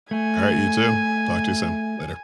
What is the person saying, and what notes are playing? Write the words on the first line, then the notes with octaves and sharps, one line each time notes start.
All right, you too. Talk to you soon. Later.
A3 G#5